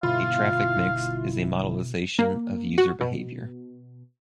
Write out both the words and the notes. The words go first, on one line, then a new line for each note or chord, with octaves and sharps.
A traffic mix is a modelisation of user behaviour.
G1 B2 E4 F4 F5
A#3
F#4
B2